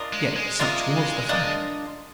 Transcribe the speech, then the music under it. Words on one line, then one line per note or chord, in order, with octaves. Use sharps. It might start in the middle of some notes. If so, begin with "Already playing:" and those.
Yet such was the fact.
Already playing: D4 F4 A#4 D#5
G#3
G#3
D4 F4 A#4 D#5
D4 F4 A#4 D#5